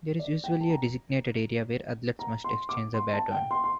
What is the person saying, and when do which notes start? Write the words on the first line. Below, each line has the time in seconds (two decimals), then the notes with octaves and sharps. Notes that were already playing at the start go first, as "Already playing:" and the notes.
There is usually a designated area where athletes must exchange the baton.
0.19 D5
0.44 G5
0.61 A5
0.70 A#5
2.19 A#5
2.44 C6
2.69 D6
2.94 C6
3.13 A5
3.32 G5
3.51 C6
3.64 C6